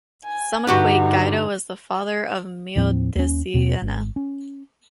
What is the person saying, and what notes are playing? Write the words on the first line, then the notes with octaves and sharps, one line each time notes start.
Some equate Guido as the father of Meo di Siena.
G#5
G2 D3 D#4 F#4 G4 B4 F#5
D#2 A2 F3 C4
D#2 C#4
D#2 B2 C4
G#1
C#4